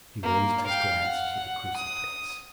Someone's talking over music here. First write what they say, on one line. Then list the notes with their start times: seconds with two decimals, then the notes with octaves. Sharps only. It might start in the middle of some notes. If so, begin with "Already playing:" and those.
He raised his glance to the crucifix.
0.23 A#3
0.67 F5 G5
1.05 F#5
1.76 D#6